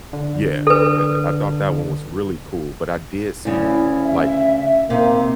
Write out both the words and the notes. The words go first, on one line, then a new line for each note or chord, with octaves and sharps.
Yeah, and I thought that one was really cool, but I did see, like,
D3
A4 B4
D2 C#3 E4
E5
C3 A#3 D#4